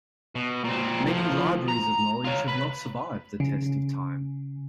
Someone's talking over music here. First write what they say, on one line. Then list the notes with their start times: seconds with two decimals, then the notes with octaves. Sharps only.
Many libraries of knowledge have not survived the test of time.
0.35 B2
0.64 A#2 C4
1.06 A2 F3
1.69 A#5
2.25 F4 C#5
2.48 B4
3.40 C#3